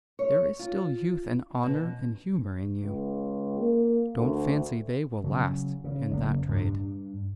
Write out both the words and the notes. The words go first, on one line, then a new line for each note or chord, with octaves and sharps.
There is still youth and honour and humour in you; don't fancy they will last in that trade.
C#5
F4
B2
C#2
A#3
D2
C#3 F#3
C#3
F#1 A#3
G2 D4